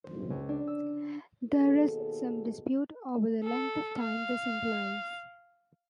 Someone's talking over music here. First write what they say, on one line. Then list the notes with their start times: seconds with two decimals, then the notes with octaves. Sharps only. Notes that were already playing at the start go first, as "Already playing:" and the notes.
There is some dispute over the length of time this implies.
0.04 C5
0.30 C#2
0.49 D4
0.67 E6
1.50 D#2 B2 G#4 A4
3.45 A4
4.00 F5